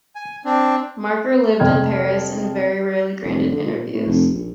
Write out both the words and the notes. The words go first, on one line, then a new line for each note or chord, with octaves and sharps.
Marker lived in Paris, and very rarely granted interviews.
G#5
C4 D4
F1 D5 D#5 G5 F6 G#6
F1
D3
A#2
A2
F1
A#1